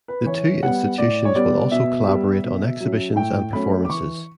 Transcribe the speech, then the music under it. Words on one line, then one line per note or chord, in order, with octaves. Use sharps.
The two institutions will also collaborate on exhibitions and performances.
B4
E3 C#5
G3 B3 F#5
A2 D5
C#5
G3 B3 D5
B2 E5
G3 B3
B2
F#3 C#4
A2 G5
F#3 A3 C#4 B5
D6
E3 C#6